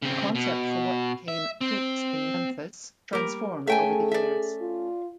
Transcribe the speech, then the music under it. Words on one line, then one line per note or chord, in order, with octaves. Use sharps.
The concept for what became "Toots in Memphis" transformed over the years.
C#3 C4
B2
E5
C4
G3 A#3 G4 A#4
A3 C#4 G#4 A4 E5 G5 G#5
D5 E5
F4